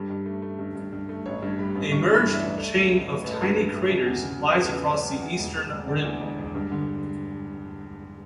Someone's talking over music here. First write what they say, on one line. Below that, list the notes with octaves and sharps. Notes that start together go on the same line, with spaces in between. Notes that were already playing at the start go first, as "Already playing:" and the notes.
A merged chain of tiny craters lies across the eastern rim.
Already playing: G2 G3 A4
G2
A3
A3
G2
G2
G2
A3
A1 C#5
G2
G3 B5
A1
G2 C#6
E3
B5
G2
E5
D5
A1
A3
F#3
A1
A1
A1 B4
A4
G2 B4
G2
A3
C#3
E2
C#3
F#3
B4
E2 A4
C#3 B4
C#3 C#5
C#3
E2
E1
E1
E1
D3 D5
E2
E1
E1
G2
D3